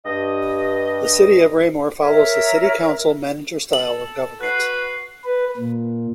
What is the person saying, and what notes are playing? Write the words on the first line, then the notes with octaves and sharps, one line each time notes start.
The City of Raymore follows a City Council-Manager style of government.
G2 D#5
A#4 C#5 E5
A4 F#7
F#4 B4 F#6 C7
B4
A#2